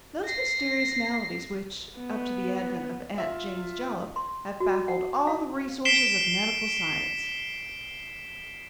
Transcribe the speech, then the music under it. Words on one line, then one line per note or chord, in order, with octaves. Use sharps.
Those mysterious maladies which, up to the advent of 'Aunt Jane's Jalap,' have baffled all the resources of medical science.
A#6 C7
B3
F4 E5
C6
F#4
F#5
F5
B6 C7 D7 E7 G7